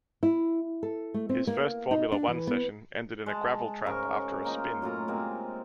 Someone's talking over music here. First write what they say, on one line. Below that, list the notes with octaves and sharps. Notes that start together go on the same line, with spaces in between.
His first Formula One session ended in a gravel trap after a spin.
E4
A4
A3
C4
A#3
D#4
D4
E3
B3
G#3 A5
G#2 C#3 A#4 C#6
A#3 D#4 F4
F#2 A2 F4 A#5
C3 G#3 A#3 C4